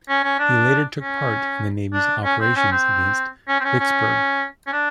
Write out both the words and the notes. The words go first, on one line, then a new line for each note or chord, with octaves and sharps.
He later took part in the Navy's operations against Vicksburg.
C#4
C#4
D4
C#4
D4
C#4
C4
C#4
C4
C#4
C4
C#4
C#4
C#4
D4